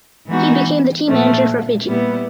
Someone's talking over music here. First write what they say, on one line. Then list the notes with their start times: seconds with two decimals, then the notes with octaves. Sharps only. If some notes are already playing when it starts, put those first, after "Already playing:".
He became the team manager for Fiji.
0.28 E3 G#3 B3 D#4 F#4
1.08 A#2 F3 A3
1.87 A#2 G3 B3 E4